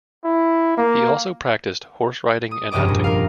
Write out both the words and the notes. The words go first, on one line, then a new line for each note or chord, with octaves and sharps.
He also practiced horse-riding and hunting.
E4
A#3
D#6
F1 C#2 G2 D#5 D6
A#2
A#4 F5